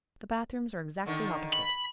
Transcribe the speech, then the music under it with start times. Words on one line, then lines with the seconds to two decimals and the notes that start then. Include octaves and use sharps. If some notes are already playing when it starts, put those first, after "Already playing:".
"The bathrooms are exactly opposite."
1.06 D3 D#3
1.53 B5